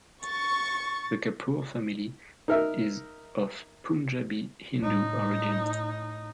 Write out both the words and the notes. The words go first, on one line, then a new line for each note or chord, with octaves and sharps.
The Kapoor family is of Punjabi Hindu origin.
C#6 A6
D#4 A#4 E5
A2 D#4